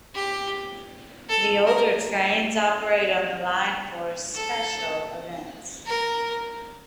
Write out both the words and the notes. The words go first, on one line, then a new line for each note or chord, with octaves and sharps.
The older trains operate on the line for special events.
G4
A4
A#4
A4
A#4